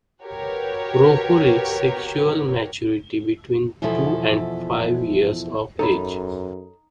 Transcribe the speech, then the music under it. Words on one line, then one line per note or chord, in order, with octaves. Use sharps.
Rohu reach sexual maturity between two and five years of age.
F#4 G4 A#4 B4 C#5
E2 B2 F3 E4 A4
F#2 D#4 A4 C#5 B5